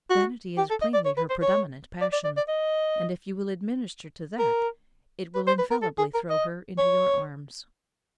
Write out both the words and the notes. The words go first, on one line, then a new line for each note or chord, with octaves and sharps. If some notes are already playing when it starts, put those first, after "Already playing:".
Vanity is plainly her predominant passion, and, if you will administer to that, it will infallibly throw her into your arms.
F#4
G4
A4
D#5
D5
C#5
B4
C5
C#5
D5
D5
D5
D5
D#5
A#4
B4
C5
B4
A#4
A4
G#4
A#4
D#5
C#5